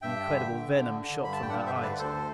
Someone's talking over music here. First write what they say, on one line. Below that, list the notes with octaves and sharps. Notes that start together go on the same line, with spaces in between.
An incredible venom shot from her eyes.
G2 E5 G5
D3
D3
D3
D3
G2 B5
A5
G5
G2 D5 F#5
C5 E5
D3
B4 D5
D2 A4 C5